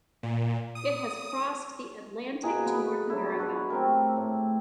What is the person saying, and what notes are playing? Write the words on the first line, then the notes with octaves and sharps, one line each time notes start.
It has crossed the Atlantic to North America.
A#2
D#6
B2 A#3 G#4 A#5
B3 B4
F#3 D4 E4
F#4 A4 B4
A3 C4 G4 A#4
A2